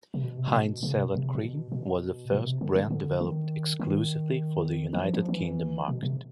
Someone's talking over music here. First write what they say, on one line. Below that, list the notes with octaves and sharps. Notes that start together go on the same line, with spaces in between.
Heinz Salad Cream was the first brand developed exclusively for the United Kingdom market.
C3
B2
C3
A#2
B2
C#3
C3
B2
C3
A#2
B2
B2
B2
C3
D3
D3
D3
D#3
D#3
E3
F3
F3
E3
B2
C3